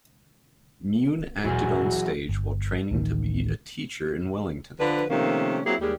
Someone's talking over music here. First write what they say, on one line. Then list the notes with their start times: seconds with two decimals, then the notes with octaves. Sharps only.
Mune acted on stage while training to be a teacher in Wellington.
1.44 D#1 B2 E3 F#3 F#4 G#4
2.29 G1
2.91 D1 A1 D#3
4.80 D3 F3 B4
5.10 C3 D#3 F3 A3 A#3 C#4
5.66 F#3 A#3 C4 E4 G4 G#4
5.81 D#2 G3 G#3